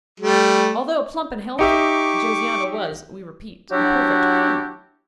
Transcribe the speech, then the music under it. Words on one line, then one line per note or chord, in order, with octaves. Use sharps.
Although plump and healthy, Josiana was, we repeat, a perfect prude.
G3 A3
D#4 G4 E5 C#6 D6
F#3 D4 E4 F#4 G4